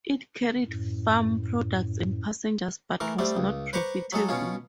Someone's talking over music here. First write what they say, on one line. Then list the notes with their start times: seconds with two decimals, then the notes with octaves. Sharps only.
It carried farm products and passengers but was not profitable.
0.65 F#2 A2
3.00 E3 A3 A#4
3.19 G3 A3 C4
3.37 C#2
3.73 B4 C5 A#5 C#6 D6
4.12 F#3 G#3 A4
4.29 B2 C#4 F4